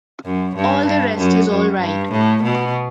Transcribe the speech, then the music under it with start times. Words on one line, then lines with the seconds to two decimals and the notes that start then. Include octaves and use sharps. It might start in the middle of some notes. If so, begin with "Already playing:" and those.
All the rest is all right.
0.25 F#2
0.56 G2
0.87 G2
1.18 F#2
1.49 F#2
1.80 G2
2.11 A2
2.43 B2